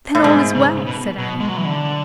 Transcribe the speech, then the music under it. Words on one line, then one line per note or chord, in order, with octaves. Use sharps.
"Then, all is well," said Annie.
A2
G#2 B2
C#3
B2
B2
G#3
F#3
E3
D3